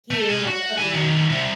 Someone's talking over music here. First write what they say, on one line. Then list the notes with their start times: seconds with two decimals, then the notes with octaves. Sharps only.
here while the other
0.11 A3
0.29 F4 G#5
0.47 F#4
0.78 E4 G#5
0.94 D#3 F#3
1.30 C3 G3